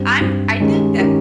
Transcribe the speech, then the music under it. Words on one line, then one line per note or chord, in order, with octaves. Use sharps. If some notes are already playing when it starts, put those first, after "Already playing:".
I'm I think that,
Already playing: G2 G3 C4
G2 G3 C4
D#3 G#3 C#4 G4 A#4
D#3 G#3 C#4 G4 A#4